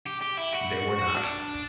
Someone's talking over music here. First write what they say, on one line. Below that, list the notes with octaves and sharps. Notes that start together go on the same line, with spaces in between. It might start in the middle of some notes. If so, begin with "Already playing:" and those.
They were not.
G4
G4
E4
F#4
F#4
D4